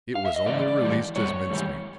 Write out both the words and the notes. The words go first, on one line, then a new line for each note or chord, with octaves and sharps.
It was only released as mince-meat.
F5
E5
D#5
G#2 E3 D5
G#2 E3 G3
G#2 E3 G3 C#5
G#2 E3 G3